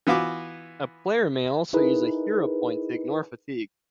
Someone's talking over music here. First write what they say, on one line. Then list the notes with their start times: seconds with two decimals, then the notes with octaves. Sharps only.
A player may also use a Hero Point to ignore fatigue.
0.07 E3 B3 F4 F#4 D6
1.73 D#4 E4 G#4 A#4 B4 D#5